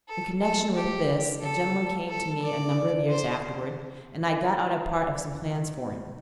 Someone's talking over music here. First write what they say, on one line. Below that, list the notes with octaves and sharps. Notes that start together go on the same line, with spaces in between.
In connection with this a gentleman came to me a number of years afterward, and I got out a part of some plans for him.
A4
A4
G4
A4
A4
D5
C5